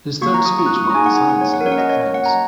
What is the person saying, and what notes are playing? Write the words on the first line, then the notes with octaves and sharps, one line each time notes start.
His third speech marked the silencing of the friends.
A#3 F#4 C#6
A#5
D#6
C#6
F#6
D#6
C#6
A#5
A#3 D#4 G#4 G#5
F#5
G#5
F#5
C#5
F#5
A#4
A#3 C#4 F#4 C#5
F#5
D#5
C#5
C#5
F#5
A#5